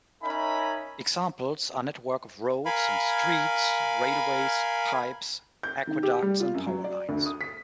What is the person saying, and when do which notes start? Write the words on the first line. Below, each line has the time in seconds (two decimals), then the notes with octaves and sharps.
Examples are network of roads and streets, railways, pipes, aqueducts, and power lines.
0.23 C#4 D#4 A#4 E5 G#5 B5
2.65 A#4 F5 G#5 B5
5.63 G6
5.87 D#3
6.03 G4
6.23 G3
6.40 F4
6.54 F#2
6.67 F#3
6.84 D5
7.09 D2
7.26 D#6
7.41 B6